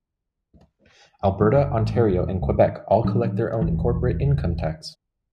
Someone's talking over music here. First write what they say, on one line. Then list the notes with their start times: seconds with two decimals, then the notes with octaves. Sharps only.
Alberta, Ontario and Quebec all collect their own corporate income tax.
1.24 G2
1.41 E3
1.55 F#1
1.80 A1
1.94 G#2
2.09 B1
2.25 E2
2.41 C#2
2.55 G#2
3.04 A2 F#3 G3 D4
3.61 E1 A#1 E3